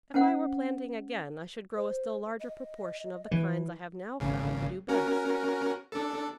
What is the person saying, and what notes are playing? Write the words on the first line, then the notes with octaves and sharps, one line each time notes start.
If I were planting again I should grow a still larger proportion of the kinds I have now found to do best.
C#4 C5 F#5
C5
D#5
E3
G#1 C#3
C#4 F#4 A#4
D4 A4